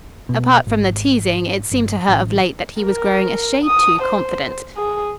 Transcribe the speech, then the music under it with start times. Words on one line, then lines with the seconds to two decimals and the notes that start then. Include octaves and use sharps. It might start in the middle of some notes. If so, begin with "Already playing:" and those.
Apart from the teasing, it seemed to her of late that he was growing a shade too confident.
0.29 B2
0.67 G#1
1.71 G1
2.09 A1
2.82 A#4
3.65 D#6
4.02 C5
4.77 G#4